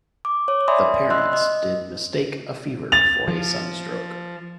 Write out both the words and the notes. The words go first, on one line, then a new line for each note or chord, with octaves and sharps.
The parents did mistake a fever for sunstroke.
D6
C#5 D6
D5 E5 G#5 B5 C6 D#6
D#5 C6 E6 F#6
D#5
A6 F7
F3